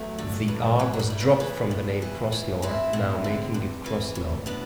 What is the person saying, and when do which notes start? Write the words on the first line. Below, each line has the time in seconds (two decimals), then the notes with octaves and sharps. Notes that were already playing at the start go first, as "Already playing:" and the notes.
The "r" was dropped from the name Crossnore now making it Crossnoe.
Already playing: E2 F#3 A3
0.18 D3
0.48 G2
0.79 E3 G3
0.94 F#3
0.99 G3
1.10 A2
1.20 B3 D4
1.40 E3
1.71 G2
2.02 E3
2.32 A2
2.62 E3 C4 E4
2.93 A2
3.24 D3
3.54 G2
3.86 E3
4.15 A2
4.46 B2 B3 D4